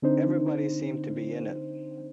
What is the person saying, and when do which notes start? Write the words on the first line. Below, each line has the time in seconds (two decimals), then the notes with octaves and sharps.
Everybody seemed to be in it!
0.02 D3 C4 D4 D#4 C5